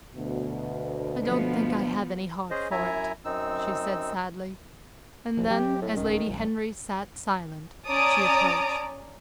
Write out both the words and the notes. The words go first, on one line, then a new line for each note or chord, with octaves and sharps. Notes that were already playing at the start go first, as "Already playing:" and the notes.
"I don't think I have any heart for it," she said, sadly; and then, as Lady Henry sat silent, she approached.
D2 B2
F3 B3
C#4 G#4 C5 D#5
F#2 E4 E5 G#5 A#5
F#2 C4 D#4 E6
D#1 C2 F3
F#3 C4 G4
A2
D1 C2 D#3 C#4
A1 D2 G3
C#4 D5 A5 A#5 D#6 D7